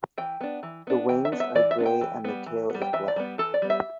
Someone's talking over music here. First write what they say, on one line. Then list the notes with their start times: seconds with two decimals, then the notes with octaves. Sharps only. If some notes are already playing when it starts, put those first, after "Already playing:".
The wings are grey and the tail is black.
0.18 E3 G5
0.41 B3 D4
0.63 E3
0.87 B3 D4
1.09 E3 G5
1.25 E5
1.32 B3 D4
1.40 E5
1.55 E3 D5
1.71 E5
1.78 B3 D4
1.86 G5
2.01 E3
2.24 G3 B3
2.46 E3
2.70 G3 B3
2.82 G5
2.93 E3 E5
3.08 D5
3.16 G3 B3
3.38 E3 A4
3.54 D5
3.62 G3 B3
3.70 E5